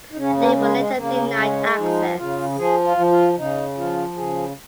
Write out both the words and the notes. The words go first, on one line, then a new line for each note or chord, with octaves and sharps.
They were later denied access.
D#4
C#3 C#4
A#3
G#3
G#3
C#3 A#3
G#3 C#4
F3 D#4
C#3 F4
F3 G#4
F4
F3
F4
C#3 D#4
F3 F4
C#3 G#4